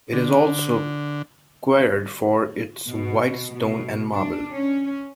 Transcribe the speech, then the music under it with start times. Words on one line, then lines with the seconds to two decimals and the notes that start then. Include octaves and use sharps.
It is also quarried for its white stone and marble.
0.13 D3
2.89 B2
3.56 B2
4.13 D4
4.52 C#4